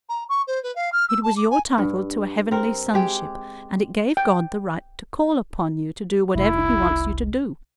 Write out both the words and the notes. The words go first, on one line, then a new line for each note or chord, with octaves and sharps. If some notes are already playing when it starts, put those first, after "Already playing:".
It was your title to a heavenly sonship, and it gave God the right to call upon you to do whatever He wants you to do.
A#5
C#6
C5
B4
F5
F6
E6
A5
D6
G#5
G2
C4 A#4
G#3 G4
G5
F1 C2 E4